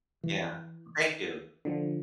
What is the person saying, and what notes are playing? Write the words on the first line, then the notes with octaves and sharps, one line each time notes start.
Yeah, well thank you.
E3
D3 F3